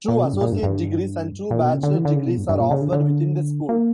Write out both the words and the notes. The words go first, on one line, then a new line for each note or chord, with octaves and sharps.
Two Associate Degrees and two Bachelor Degrees are offered within the School.
A#2
B2
C#3
G2
A#2
G2
G2
A#2
B2
C#3
D3
E3
D3
C#3
B2
G2
G2
A#2
C#3
D3
D3
A#3